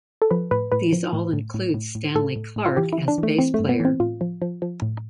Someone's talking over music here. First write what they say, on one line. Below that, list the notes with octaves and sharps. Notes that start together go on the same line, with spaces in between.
These all include Stanley Clarke as bass player.
A4
F3 B4
A2 B4
A2 B4
F3
A2
A2
A2
A2
A2
A2 A4
A2
A2
F4
E3 G4
E4
E3
D4
E3
A3
E3 C4
G2 A3
B3
E3
C4
A2 F4
F3
F3
F3
A2